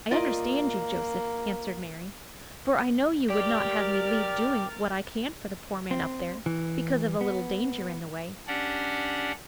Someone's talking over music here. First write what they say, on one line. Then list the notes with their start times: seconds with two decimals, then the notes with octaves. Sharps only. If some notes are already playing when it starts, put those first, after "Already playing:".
"I understand you, Joseph," answered Mary, "for I know you would not have me leave doing what I can for the poor man up there, because of a little danger in the way."
0.11 A#3 F4 D5 D#5
3.30 G4 A#4 D5 F6 A6
5.91 C4
6.46 E3
7.21 B3
8.47 C#4 D4 G4 D5 F#5